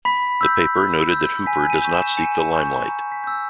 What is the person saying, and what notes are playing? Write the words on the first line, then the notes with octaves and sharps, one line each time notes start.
The paper noted that Hooper does not seek the limelight.
B5 B6
E6 G6
B5
E6 G6
G#5 B6
D#7
C#6 G6
E7
G#5 C#7
C#6 G6
A#5
B6
E6 G6